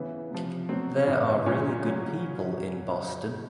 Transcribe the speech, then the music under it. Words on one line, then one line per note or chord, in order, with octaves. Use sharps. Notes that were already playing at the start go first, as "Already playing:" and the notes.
There are really good people in Boston.
Already playing: C#3 E3 B3
C3 F3
B2 F#3 C4
A2 E3
A#2 F#3 C#4
C#3 F#3